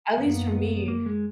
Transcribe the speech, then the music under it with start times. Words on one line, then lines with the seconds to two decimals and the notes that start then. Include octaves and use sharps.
at least for me,
0.17 F#2 D#3 A#3 B3
0.88 A#3
1.06 G#3